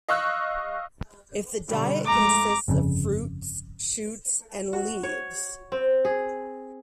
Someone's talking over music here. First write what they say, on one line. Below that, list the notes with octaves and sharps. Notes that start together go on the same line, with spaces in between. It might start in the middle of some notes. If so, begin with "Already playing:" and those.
Its diet consists of fruits, shoots and leaves.
D#5 F5 C#6 E6 F#6
B2 D3 G3
F2 G#3 A3 A#5 D6
G1 F2 G#2 C#3
F#4
C#5
C4
G#4